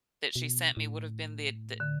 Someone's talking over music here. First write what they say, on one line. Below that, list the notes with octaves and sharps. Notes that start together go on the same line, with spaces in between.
that she sent me would have been the the
B2
A2
D3